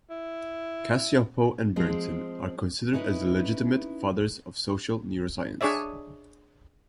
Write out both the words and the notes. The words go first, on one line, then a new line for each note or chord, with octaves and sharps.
Cacioppo and Berntson are considered as the legitimate fathers of social neuroscience.
E4
F3 G#3 C4
C#4 D#4 E4 B4
D4 G#4 C#5 D5 E5